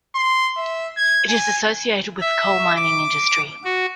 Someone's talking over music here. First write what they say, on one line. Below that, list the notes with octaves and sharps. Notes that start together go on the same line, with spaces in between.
It is associated with the coal mining industry.
C6
E5
G#6
G#5
E5
D6
F#4